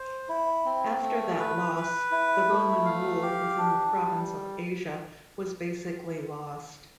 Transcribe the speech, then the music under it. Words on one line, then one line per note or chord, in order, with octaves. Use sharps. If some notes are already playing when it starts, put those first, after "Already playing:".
After that loss the Roman rule within the province of Asia was basically lost.
Already playing: C5
E4
C4
A3
B4
B4
E4
A3
F5
G4
D4
G3